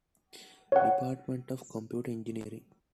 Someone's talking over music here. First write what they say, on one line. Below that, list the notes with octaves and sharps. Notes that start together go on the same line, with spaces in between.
Department of Computer Engineering.
C#5 F#5